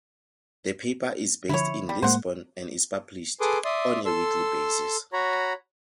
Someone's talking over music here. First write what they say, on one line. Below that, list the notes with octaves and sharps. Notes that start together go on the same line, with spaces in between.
The paper is based in Lisbon and is published on a weekly basis.
D3 F3 E4 C#5
G3
A2 G#3 A#3 C5 F#5
G#4 A4 B4 C6 D6 D#6
D5 E5 C6 D#6
A4 C6 E6
F#4 C#5 A#5 B5